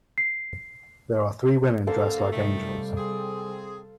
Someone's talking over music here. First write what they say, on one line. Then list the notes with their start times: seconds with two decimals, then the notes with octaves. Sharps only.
There are three women dressed like angels.
0.18 C7
1.87 D3 A#3 A4 C5 F5
2.31 C3 D#3 G3 A3
2.97 C4 G#4